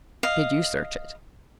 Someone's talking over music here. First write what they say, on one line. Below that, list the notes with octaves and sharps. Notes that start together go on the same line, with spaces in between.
"Did you search it?"
D#5 F5